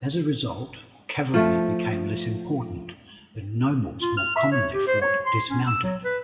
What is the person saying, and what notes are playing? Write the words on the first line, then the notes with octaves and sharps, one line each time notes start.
As a result, cavalry became less important and nobles more commonly fought dismounted.
F3 A3
F4
F6
E5
C#5
G4
C5
C#5
C6
C#4
E6
F#3
B4